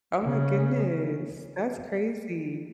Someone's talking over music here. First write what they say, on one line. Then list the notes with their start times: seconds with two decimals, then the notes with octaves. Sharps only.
Oh my goodness. That's crazy.
0.23 C#3